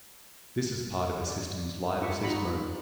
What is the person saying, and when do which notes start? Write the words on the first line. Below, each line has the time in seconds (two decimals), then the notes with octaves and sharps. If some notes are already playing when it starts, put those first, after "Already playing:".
This is part of a system's live-assist mode.
1.27 D5
2.01 D4 F4 E5 A#5 C#6 D6
2.23 D#4 F4 F#4 A#5 B5 C#6
2.48 F4